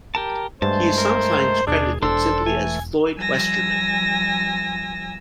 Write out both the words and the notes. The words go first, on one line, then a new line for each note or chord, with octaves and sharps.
He is sometimes credited simply as Floyd Westerman.
G4 A#4 A5
G2 G#3 A3 C5 A5
A#4
D#2 B2 D4 G#4
E1 D4 A4 C5 E6
E3 A3 G#5
F3 G3 G#5 E6 A#6